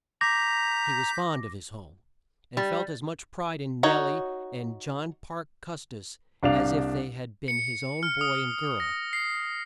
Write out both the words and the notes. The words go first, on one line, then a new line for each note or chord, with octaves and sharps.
He was fond of his home, and felt as much pride in Nel-lie and John Parke Cus-tis as if they had been his own boy and girl.
A#5 D6 G6 A#6 B6
G3
D#4 F#4 C#5 A#5
C2 D4 F5 F7
C#7
F6
D#6
A#6
C7